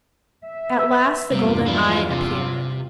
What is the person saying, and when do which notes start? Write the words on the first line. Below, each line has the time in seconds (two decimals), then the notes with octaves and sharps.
At last the golden Eye appeared.
0.45 E5
0.78 B4 E6
1.32 E2 G2 C3 G3 A#3 B3 F4
1.66 F3 D4 E4
2.11 C3